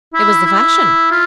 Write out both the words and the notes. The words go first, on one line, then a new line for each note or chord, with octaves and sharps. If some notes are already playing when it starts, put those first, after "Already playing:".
It was the fashion.
E4
E4
F4